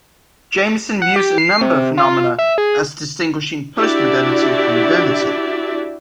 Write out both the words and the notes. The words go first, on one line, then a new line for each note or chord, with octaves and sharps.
Jameson views a number of phenomena as distinguishing postmodernity from modernity.
F#5
G4
C7
C3
F4
E5
G#4
D4 E4 F#4 G4 D5 E5